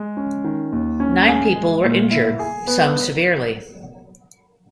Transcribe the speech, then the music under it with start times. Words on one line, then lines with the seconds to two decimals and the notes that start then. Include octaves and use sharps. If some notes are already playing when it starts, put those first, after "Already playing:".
Nine people were injured, some severely.
Already playing: G#3
0.17 C#4
0.44 D#3
0.72 D#2
1.00 C#4
1.28 G#4
1.56 G#3
1.84 A#2
2.11 E4
2.39 G#4
2.67 B3